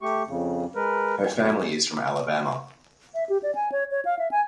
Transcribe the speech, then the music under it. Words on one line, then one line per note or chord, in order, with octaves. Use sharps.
Her family is from Alabama.
A3 G4 C#6
F2 C#3
G#3 A#4 B4
F#2
E5
G4
D5
G#5
C#5
C#5
F5
E5
G#5